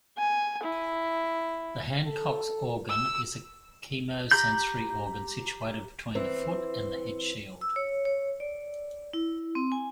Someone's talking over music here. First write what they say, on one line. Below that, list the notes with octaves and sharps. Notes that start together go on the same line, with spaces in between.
The Hancock's organ is a chemosensory organ situated between the foot and the headshield.
G#5
E4
A4
E6
G4 A#5 B5 G6
E3 C4
E6
C#5
C#5
D5
E4
C4
G#5